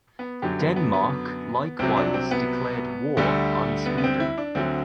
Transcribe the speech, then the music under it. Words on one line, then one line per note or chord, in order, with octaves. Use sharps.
Denmark likewise declared war on Sweden.
B3
F#2 D3 F#3 G4
B3
B3
B3
C2 C3 F#3 C4
D4
C4
B3
D2 D3 G3 A3
B3
B3
C4
E4
D4
D2 D3 F#3 C4